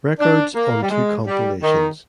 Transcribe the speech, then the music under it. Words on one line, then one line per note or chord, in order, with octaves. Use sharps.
Records on two compilations.
D4
A#3
G3
G#3
G3
D#3